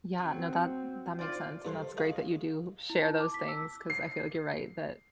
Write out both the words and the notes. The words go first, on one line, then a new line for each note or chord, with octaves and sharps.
Yeah, no, that that makes sense, and that's great that you do share those things, 'cause I feel like you're right that
F#3 C4
F4 C5 D5
G2 A4 C5 C6
F#4 G#4 D#5 F5
E4
A5
D6
B6
E6
C7